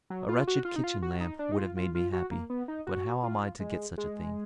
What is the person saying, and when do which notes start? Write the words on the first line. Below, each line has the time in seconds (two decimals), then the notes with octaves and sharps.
A wretched kitchen-lamp would have made me happy, but how am I to get such a thing?
0.10 F#3
0.29 F4
0.47 F#4
0.65 F4
0.76 D#4
0.84 F4
1.02 F#4
1.21 D#4
1.39 D4
1.52 D#4
1.58 F4
1.77 F4
1.95 F4
2.13 F#4
2.31 A#3
2.50 B3
2.68 D#4
2.87 F#4
3.23 F4
3.60 G#3
3.98 G#3